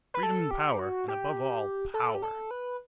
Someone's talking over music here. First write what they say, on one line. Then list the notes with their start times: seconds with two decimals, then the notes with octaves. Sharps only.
Freedom and power, and above all, power!
0.14 B4
0.23 A4
0.51 G4
0.79 F#4
1.08 G4
1.94 A4
2.15 G4
2.22 A4
2.51 B4